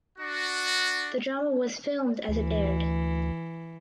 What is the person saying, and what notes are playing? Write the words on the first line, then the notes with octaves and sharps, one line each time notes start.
The drama was filmed as it aired.
D4 F#4
D2 E3